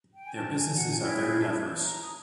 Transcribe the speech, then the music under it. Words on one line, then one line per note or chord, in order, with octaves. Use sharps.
Their businesses are very diverse.
G5
G#5
A5
G#5
F#5
G#5
E4 G#4 C#5 G5
G#5
A5
A5
A#5
D#6